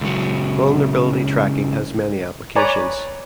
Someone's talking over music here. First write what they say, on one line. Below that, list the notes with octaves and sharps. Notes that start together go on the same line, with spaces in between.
Vulnerability tracking has many applications.
C#2 F#3
B4 C#5 D5 G#5 A#5